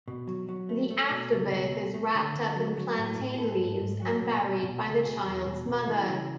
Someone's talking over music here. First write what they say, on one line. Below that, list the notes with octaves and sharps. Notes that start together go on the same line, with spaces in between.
The afterbirth is wrapped up in plantain leaves and buried by the child's mother.
B2
F#3
F#3
A3
A3
B2
C#2
B2
A3
A3
D3
D3
F#3
F#3
A2
A2
G#4
A3 A4
G#2
G#2
F#3
B2
B2
B2
C#2
B2 G#4
E2
B2
B2
E3
C#3